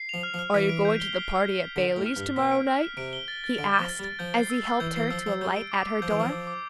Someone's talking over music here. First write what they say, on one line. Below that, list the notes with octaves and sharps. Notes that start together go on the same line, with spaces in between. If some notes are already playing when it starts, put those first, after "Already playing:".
"Are you going to the party at Baileys' tomorrow night?" he asked, as he helped her to alight at her door.
Already playing: C7
F3 F7
F6
F3
F6
E3 B6
D7
G6
G7
B6
D7
G6
G7
D3 B6
D7
A2
F6
G2
F6
B2 B6
D7
F6
F6
C3 D7
G7
A6
A6
D3 D7
G7
F3
A6
G3
A6
F3 G6
C7
E6
E6
E3 G6
E3 C7
F3 E6
F3 E6
G3 G6
D7
D6
D6
F3 G6
E3
F3 D7
D6
D6